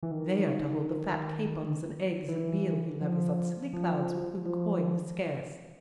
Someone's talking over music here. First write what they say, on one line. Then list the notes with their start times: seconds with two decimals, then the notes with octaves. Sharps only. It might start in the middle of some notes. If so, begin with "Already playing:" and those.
They are to hold the fat capons and eggs and meal he levies on silly clowns with whom coin is scarce.
0.03 E3
0.11 D#3
2.28 E3
3.01 F3
3.73 F3
4.46 F3